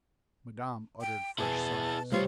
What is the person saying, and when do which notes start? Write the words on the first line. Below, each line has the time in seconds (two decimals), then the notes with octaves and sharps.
Madame uttered fresh sighs.
1.01 G5
1.38 B2 E4 G#4 G#5 A5
2.12 C2 G3 F4 C5 C#5